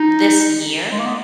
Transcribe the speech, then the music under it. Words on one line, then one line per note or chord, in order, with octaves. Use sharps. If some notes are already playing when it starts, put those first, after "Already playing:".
this year,
Already playing: D#4
G#3
A#3
B3